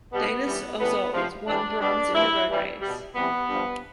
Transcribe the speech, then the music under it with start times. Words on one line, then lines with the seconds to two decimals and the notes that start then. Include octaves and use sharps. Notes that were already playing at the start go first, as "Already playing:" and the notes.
Dainis Ozols won bronze in the road race.
0.11 B2 G3 B3
0.46 G2 E3 G3
0.79 A2 E3 G3 B3
1.13 C3 F3
1.46 A2 E3 G3 D4
1.80 B2 G3 D4
2.13 G2 F3 E4
2.47 G2 E3 G3
2.81 G3
2.86 B2
3.14 C3 E3 G3 B3
3.49 G2 F3